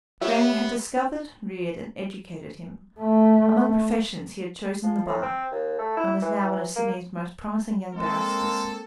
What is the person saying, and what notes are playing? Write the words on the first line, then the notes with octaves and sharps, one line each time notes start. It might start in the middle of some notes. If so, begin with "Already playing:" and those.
Grannie had discovered, reared, and educated him. Among professions he had chosen the bar, and was now one of Sydney's most promising young barristers.
B3 G4 C#5 E5
A3
F3
A2
C4
D#2
A3
E4
E3
E3
A#3
G#3 A#3 C4 A4